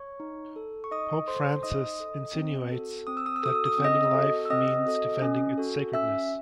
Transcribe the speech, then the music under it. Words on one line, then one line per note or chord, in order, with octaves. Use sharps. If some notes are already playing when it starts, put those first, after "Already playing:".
Pope Francis insinuates that defending life means defending its sacredness.
Already playing: C#5 C#6
D#4
A4
C#6
D#4 D#5 D#6
A4 C5 C6
D#4 D#5 D#6
A4
C4
F#4 A4
C4 D#6
E6
D#6
E6
F#4 A4 D#6
E6
D#6
C4 E6
D#5 D#6
F#4 A4
E6
C4 D#5 D#6
F#4 A4
C#4
F#4 A4
C#4 E5 E6